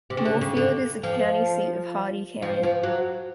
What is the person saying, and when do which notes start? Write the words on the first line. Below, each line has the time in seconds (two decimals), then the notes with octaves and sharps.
Moorefield is the county seat of Hardy County.
0.10 C3
0.17 C#3
0.25 D3
0.41 C#3
0.57 D3
1.03 F3
2.42 F3
2.63 F3
2.83 F#3